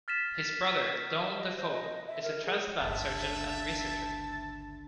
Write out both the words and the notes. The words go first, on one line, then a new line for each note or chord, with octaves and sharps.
His brother, Donald Dafoe, is a transplant surgeon and researcher.
F6 A6 B6 E7
D#5
C5
D#5
E5
A#4
G#4
G1 C#2 D3 E5 A5